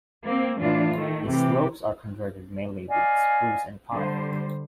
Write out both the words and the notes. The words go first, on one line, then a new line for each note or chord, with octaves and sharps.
The slopes are covered mainly with spruce and pine.
A#3 C4
A2 E3 D4 F4
D#3 A3
C3 E3 G4
D5 D#5 F5 G#5
D3 G3 C5